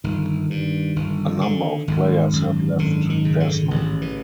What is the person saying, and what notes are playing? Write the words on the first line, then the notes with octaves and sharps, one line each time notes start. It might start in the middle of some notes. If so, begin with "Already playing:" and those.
A number of players have left Desna.
G1 D#3
G2
G1
D3
G#1
F#2
G#1 D3
D#3
C#3
D3
A1
E3